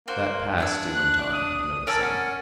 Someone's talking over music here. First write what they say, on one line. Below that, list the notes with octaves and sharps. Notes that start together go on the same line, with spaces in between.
"That passed," he went on, unnoticing.
A#3 F#4 C5
B3 D4 G#5 E6
F#6
D#6
C#4 A#4 D5 A5 E6
F#5